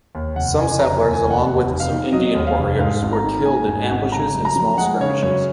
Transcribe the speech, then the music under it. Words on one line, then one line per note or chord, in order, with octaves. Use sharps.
Some settlers, along with some Indian warriors, were killed in ambushes and small skirmishes.
D#2
F1 F#5
C#3 G#5
F1 A#5
G#5
D#2
G#5
F1
F#5
D#2 F#5
F1
F5
D#3
F#3 D#5
D#2
F5
F1
G#2 F5
G#1
A#5
D#3
A#3 G#5
G#2 G#5
G#1 F#5
C#3 A#5
F#2
A#5
F3
G#3 F#5
C#3 C#5
F#2 C#5